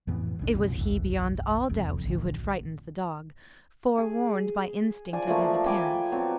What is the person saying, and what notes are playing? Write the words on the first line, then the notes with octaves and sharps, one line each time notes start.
It was he beyond all doubt who had frightened the dog, forewarned by instinct of his appearance.
F2 A2 E3 B3
E1 B1 D4
C2 F#2 A#2
F#1 B1 E2 E3
E1 C2 F2
A1 D2
G#4
F3 D5 G#5
F3 A3 A#3 F#4
G5 G#5 B5 D6
F#3 B3 C4